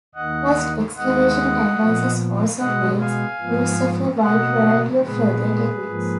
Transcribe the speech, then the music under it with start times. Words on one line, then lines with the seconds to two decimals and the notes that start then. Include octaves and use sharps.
Post-excavation analysis also makes use of a wide variety of further techniques.
0.15 D#2 D#3 A#3 D#5 F#5
0.96 D#2 D#3 G#3 B3 D#5 F#5
1.78 A#2 F3 B3
2.59 B2 G#3 B3 D#5 F#5
3.00 F5 G#5
3.41 G#2 F3 B3
4.22 B2 A#3 D#5 F#5
5.04 A#2 G#3 B3 G#4 B4
5.84 G#2 F3 A#3